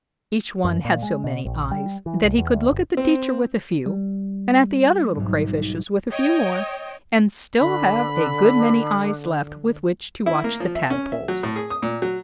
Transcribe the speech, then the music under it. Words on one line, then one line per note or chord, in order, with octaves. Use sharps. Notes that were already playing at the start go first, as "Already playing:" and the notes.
Each one had so many eyes that he could look at the teacher with a few, and at the other little Crayfishes with a few more, and still have a good many eyes left with which to watch the Tadpoles.
F#2
A#2
G#3
B2
A#1
G3
E3
C2
E2
D2
G1
C4
G3
B1 G#2
C#5 D#5 G5
D3 B5
E4
A#3
F3
E5
C#4
E5
F#3
A2
G#4
D#6
A#2
F#3